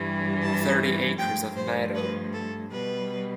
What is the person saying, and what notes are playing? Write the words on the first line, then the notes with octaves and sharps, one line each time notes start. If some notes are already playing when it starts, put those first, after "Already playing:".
Thirty acres of meadow.
Already playing: G2 E3 G3
A5
G2 F3 A3 G5
C5
B4
A4
B2 G3 B4